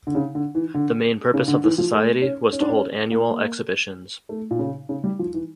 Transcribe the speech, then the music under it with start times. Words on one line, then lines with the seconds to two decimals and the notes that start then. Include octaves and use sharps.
The main purpose of the society was to hold annual exhibitions.
0.07 D3
0.15 C#3
0.35 D3
0.55 E3
0.74 D3
1.34 C#3
1.48 D3
1.64 E3
1.78 F3
1.92 A3
2.22 C#4
2.52 C#4
2.61 D4
2.69 C#4
3.12 A#3
4.29 A3
4.51 A#2
4.59 C#3
4.89 C#3
5.04 G3
5.19 F3
5.34 E3